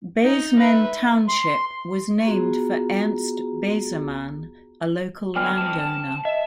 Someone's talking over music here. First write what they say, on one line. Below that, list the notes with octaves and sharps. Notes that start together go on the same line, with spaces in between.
Beseman Township was named for Ernst Besemann, a local landowner.
D#4
B4 E5
C6
B3 F4 F#4 G#4 A#5
D3 G3 B3 G5 G#5 F6
F2 A5
A5
D#5 E5